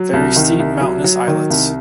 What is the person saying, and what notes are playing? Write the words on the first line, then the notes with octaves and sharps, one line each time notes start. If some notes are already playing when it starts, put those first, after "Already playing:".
Very steep mountainous islets.
Already playing: F#3
C2
D#3
C2
F#3
F#3
D#3
C2